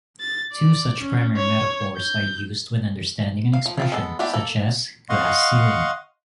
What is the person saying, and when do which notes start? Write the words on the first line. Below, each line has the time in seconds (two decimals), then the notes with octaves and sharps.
Two such primary metaphors are used when understanding an expression such as "glass ceiling".
0.20 A6
0.53 D5
1.00 C#4
1.37 C#5
1.98 G6
3.53 F5
3.66 F3
3.77 F3 C4 F4
3.92 G#3 B3 A4
4.19 G#3 B3 D4 E4 G4
4.33 A#3 A4
5.09 D#5 F5 F#5 C6 C#6